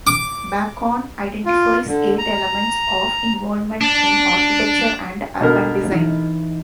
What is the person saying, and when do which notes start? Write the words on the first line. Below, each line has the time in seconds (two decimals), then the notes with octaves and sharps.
Bacon identifies eight elements of 'Involvement' in Architecture and Urban Design.
0.07 D6
1.45 F4
1.87 D3
2.18 A#5
3.81 D4
5.41 B2 D3 A#4
5.92 E3 D#4 E4